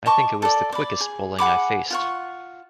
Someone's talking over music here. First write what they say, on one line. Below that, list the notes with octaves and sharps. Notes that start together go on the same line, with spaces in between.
I think it was the quickest bowling I faced.
D#5 A5 C#6 D6
A4 D5
D5 B5
G#4
G#4 F#5 B5 D6
F4 F#5 C#6